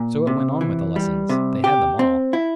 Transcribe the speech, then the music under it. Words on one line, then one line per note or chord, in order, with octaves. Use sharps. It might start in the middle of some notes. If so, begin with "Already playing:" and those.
So it went on with the lessons; they had them all.
Already playing: A#2
C3
E3
G3
C3
G4
C4
E4